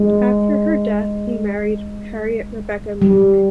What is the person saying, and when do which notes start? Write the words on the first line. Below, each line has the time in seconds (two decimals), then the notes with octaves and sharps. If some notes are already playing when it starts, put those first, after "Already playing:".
After her death, he married Harriet Rebecca Meek.
Already playing: G#3
3.02 G3